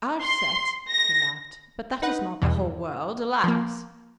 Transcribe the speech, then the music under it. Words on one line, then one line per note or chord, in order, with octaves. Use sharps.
"Our set," he laughed, "but that is not the whole world, alas!"
C6
A#6
D#4 B4 F#5
E2 G2 B2 E3
F3 A#3